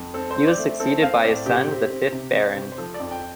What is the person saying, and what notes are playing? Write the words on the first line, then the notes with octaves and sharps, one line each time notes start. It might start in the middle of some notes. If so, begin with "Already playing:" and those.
He was succeeded by his son, the fifth Baron.
Already playing: F2
C4 A4
C5
C4
D5
A3
C4 A4
C4 F5
A2 D5
C3 G4
C4
C4
C3
C4
C3
C5
F3 A4
D5
F2
G5